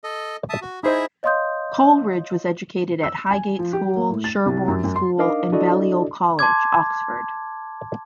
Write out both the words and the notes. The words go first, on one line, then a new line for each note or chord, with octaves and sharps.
Coleridge was educated at Highgate School, Sherborne School and Balliol College, Oxford.
A4 D#5
E5 A5 D#6
F#4
D#4 E4 G#4 C5 D#5 E5
C#5 D#5 F5 C6 D#6 G6
E6
G#5
F3
G4
A#3
A2
A6
C2
F#2
F#2
C6
D4 D#4 A#4 D#5 F5 D6
D4 E4 F#4 A4 D5 D#5
A5 C6 D6 G#6